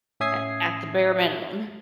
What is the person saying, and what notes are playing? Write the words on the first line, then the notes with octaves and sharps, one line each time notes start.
at at the bare minimum.
A2 C#4 E5 D#6 G#6 C7